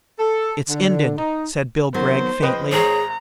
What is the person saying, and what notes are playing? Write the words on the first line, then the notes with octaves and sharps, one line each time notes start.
"It's ended," said Bill Gregg faintly.
A4
D3
D#4
D#3 F#3 B3 C5
C#3 F3 B4 D#5 G5
G#1 G#4 C5 C#5 A#5